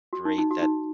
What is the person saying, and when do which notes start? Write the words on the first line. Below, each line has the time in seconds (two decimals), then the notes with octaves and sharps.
great that,
0.13 F#4
0.25 D#4
0.38 D#4
0.51 F#4
0.62 D#4